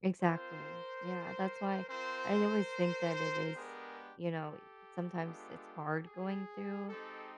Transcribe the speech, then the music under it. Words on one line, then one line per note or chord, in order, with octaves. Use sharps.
Exactly. Yeah, that's why I always think that it is, you know, sometimes it's hard going through,
C4 F4 A#4 C5
C4 F4 A#4 C5
G#3 B3 D4 G4 G#4 A#4
G4 A4
G#3 B3 D4 F4
G#4
G#3 C4 D#4 G4 A4